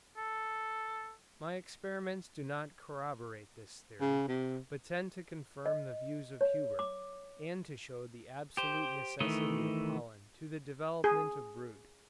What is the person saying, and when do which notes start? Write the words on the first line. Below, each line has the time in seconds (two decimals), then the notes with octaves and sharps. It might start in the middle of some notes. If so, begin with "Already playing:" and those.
My experiments do not corroborate this theory, but tend to confirm the views of Huber, and to show the absolute necessity of pollen to the development of brood.
0.16 A4
4.01 C#3
4.28 C3
5.66 D#5
6.41 C#5
6.79 D6
8.57 G4 C5
9.20 D#3 E3 A3 D#5
11.04 G#4